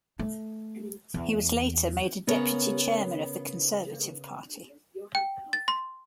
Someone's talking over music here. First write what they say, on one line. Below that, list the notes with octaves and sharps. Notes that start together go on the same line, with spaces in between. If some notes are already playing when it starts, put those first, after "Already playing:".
He was later made a Deputy Chairman of the Conservative Party.
A3
E2
C#3 B3 A#4 C#5
G5
A6
C6